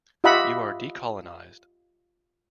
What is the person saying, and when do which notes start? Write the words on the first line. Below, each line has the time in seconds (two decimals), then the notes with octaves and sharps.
You are decolonized.
0.24 F4 G4 D#5 E5 F#5 B5